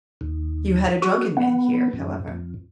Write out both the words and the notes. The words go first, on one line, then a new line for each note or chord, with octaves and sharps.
"You had a drunken man here, however."
D#2
F#4
B3
F#2
F2